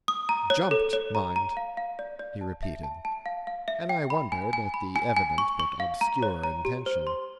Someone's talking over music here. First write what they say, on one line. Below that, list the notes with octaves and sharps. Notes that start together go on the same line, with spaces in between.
"Jumped--mind!" he repeated, and I wondered at the evident but obscure intention.
D#6
A#5
C#5
A4
C#5
A#5
A#5
F5
F5
D5
D5
A5
E5
A5
A5
F5
F5
E5
G5
B5
G#5
G#5
B5
G#5
G#5
C#6
C#6
F5
A#5
C#5
A#5
G4
C5
C6